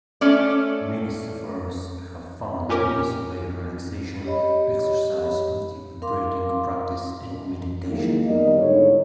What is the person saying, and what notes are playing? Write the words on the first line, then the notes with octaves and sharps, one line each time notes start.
Many sufferers have found ease by relaxation exercises, deep breathing practice and meditation.
A3 C#4 D5
A#2 C#4 G4 A#4
G4 C#5 D#5 B5
A#4 F5 C6 D6
F2 D#3 F#3 G#3 A#3 E4
D#3 G3 B3 G4 A#4 D#5
G#2 D3 D#4 E4 C#5